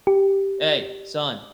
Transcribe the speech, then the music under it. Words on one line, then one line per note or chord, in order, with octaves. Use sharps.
"Hey, son,
G4